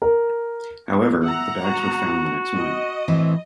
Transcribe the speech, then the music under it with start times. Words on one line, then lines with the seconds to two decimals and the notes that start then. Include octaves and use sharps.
However, the bags were found the next morning.
0.02 A#4
1.25 E5 F#5 A#5
1.64 F#4
2.55 D#5
3.08 A2 E3 C4